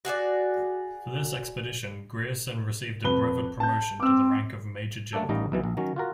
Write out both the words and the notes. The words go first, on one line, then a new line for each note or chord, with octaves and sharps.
For this expedition Grierson received a brevet promotion to the rank of major general.
F#4 G#4 C#5 D5
F2 B4 G7
A5 G6
C4 D6 E6
A3 A#3 D4 A4
A1 D#3 G3 D#4 F5 A#5
B1 B2 E3
A#1
D#3 F#3 C#4
F4 F#4 A#4